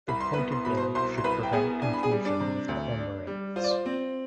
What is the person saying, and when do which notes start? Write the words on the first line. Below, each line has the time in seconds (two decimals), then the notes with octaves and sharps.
The pointed bill should prevent confusion with cormorants.
0.08 C2 B5
0.20 C6
0.33 B4 B5
0.37 B3
0.52 C6
0.65 B2 B5
0.77 C5 C6
0.95 C2 C5 C6
1.18 C6
1.24 C2 B4 B5
1.43 G5
1.53 B3 G#4 G#5
1.82 D4 G#5
1.93 B5
2.03 G#4 G#5
2.11 G3
2.25 D4 D5
2.40 C3
2.69 D2
2.99 D4
3.27 G3
3.56 F4 C5
3.64 D5
3.71 C5
3.86 C4